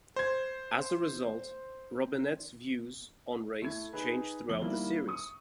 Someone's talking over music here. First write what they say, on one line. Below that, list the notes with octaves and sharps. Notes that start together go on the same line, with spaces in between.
As a result, Robinette's views on race change throughout the series.
C5 G#6
A3 E4 G#6
D#4 G#4 B4
F2 F#7 G7
D#3 G3 A#3 E4
C#6 D#6